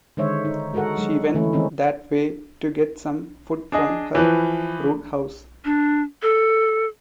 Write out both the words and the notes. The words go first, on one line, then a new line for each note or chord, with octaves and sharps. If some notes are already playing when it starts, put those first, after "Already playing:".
She went that way to get some food from her roothouse.
D3 D#3 G#3 C5 C#5 E5
D#4
G#3 F#4 A4 A#4 F#5
F#3 G#3
D3 E3 A3 C#4 E4
D#3 G#3 C4 C#4 D#4
D4 G#4 D#5
E3 F3 B4
D4
A4